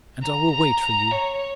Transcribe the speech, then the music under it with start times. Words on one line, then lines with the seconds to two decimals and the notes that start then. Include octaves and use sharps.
And I will wait for you.
0.22 A#5
0.52 A#5
0.81 A#5
1.11 C#5